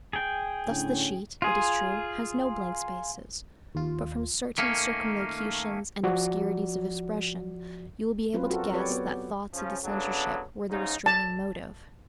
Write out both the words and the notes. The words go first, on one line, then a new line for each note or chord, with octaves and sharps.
Thus the sheet, it is true, has no blank spaces, but from certain circumlocutions and obscurities of expression you will be able to guess that thoughts of the censorship were the restraining motive.
G#4 G5
A2 D3 C#4
F4 G#4
D#2 F4
D#3 A3 A#3 C#4
F3 F#4 D5
F#3 C4 C#4 F4 B4
F4 F#4 A4 A#4
F#3 C4 G4 B4 C#5 D5
B3 C#5
F#4
C#3 F3 C#4
C#3 F#3 B3 D4 A4
G#2 C#3 D#4
A5